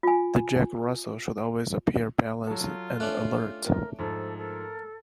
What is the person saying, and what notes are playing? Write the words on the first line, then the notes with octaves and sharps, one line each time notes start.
The Jack Russell should always appear balanced and alert.
F4 G#5
F#3 F4 A4
A3 C#4 D4 F#6
A#4
G#2 F3 A4
A4 A#4